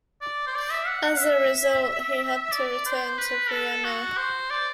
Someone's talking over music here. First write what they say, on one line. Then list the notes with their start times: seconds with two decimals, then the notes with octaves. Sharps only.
As a result, he had to return to Vienna.
0.22 D5
0.46 C5
0.55 D5
0.70 E5
0.87 F#5
1.04 F#5
1.20 E5
2.52 D5
2.86 C5
3.18 B4
3.51 A4
3.85 F#4
4.17 C5
4.50 D5